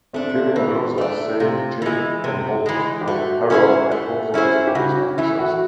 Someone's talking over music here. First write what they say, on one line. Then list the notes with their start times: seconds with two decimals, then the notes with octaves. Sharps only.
Kevin and Rosa save Jake and Holt from Carol by posing as police officers.
0.13 A3 C4 D4
0.34 F4
0.56 E3
0.98 A3 D4
1.40 C3 F4
1.82 E3 G#3
2.24 C3
2.66 E3 G#3
3.01 G4
3.07 A3 F#4
3.50 C#4 E4 G#4 C5
3.91 A3
4.34 C#4 E4 G#4 C5
4.67 G4
4.75 C#3 F#4
4.97 C#4
5.18 E3 A3 E4
5.39 F#4